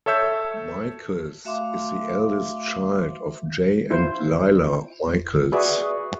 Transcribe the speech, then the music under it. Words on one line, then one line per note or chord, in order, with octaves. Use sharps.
Michaels is the eldest child of Jay and Lila Michaels.
A4 C#5 E5 E6 G6
A3 F#4 E5 F5 C6 D6
E4 F4 C5
F#4 G#4 B4 D5 E5